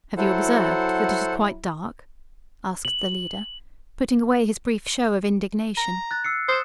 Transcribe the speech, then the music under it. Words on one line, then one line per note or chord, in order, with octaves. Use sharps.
"Have you observed that it is quite dark?" asked the leader, putting away his brief show of indignation.
F#3 E4 A4 C5 F#5
F#7
A#5
F#6 A6
E6 C7 C#7
C5 D#6 E7